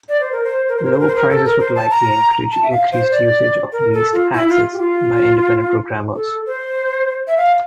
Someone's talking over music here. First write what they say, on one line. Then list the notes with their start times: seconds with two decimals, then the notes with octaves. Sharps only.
Lower prices would likely encourage increased usage of leased access by independent programmers.
0.09 D5
0.20 C5
0.32 A#4
0.44 C5
0.69 A#4
0.77 C5
0.85 A#4
0.92 C5
1.00 A#4
1.08 C5
1.15 A#4
1.30 A4
1.45 A#4
1.60 C5
1.76 A5
1.90 A#5
2.51 A5
2.63 E5
2.71 F5
2.92 C5
3.11 D5
3.72 A#4
3.93 A4
4.13 F4
4.33 E4
4.48 F4
4.73 G4
4.78 F4
6.16 A4
6.46 C5
7.27 E5
7.37 F5